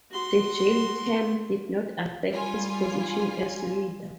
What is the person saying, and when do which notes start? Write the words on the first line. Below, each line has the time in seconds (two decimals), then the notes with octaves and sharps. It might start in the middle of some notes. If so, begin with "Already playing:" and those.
The jail term did not affect his position as leader.
0.11 F#4 C6
2.31 G3 F4 G#5